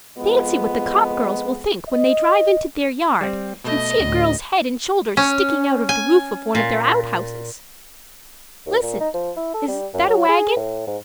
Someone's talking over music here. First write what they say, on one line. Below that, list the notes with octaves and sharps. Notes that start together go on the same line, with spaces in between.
Fancy what the Copp girls will think when they drive into their yard and see a girl's head and shoulders sticking out of the roof of one of their outhouses. Listen . . . is that a wagon?
F2 G#3 B3 F4 D#5
D#5
G3 C4
B2 A3 D#5
D2 A2
C#4
G#5
A#2
D#2
A#2
D#4
F3
E4
A4
G3
F#2
F#3
G#4
A2
G#2